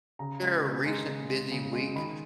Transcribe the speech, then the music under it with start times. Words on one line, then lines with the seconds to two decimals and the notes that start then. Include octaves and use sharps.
There a recent busy week
0.19 C#3 A#5
0.41 G#3
0.63 C#3
0.86 G#3
1.07 C#3
1.29 G#3
1.52 C#3
1.73 G#3
1.96 D#3 B5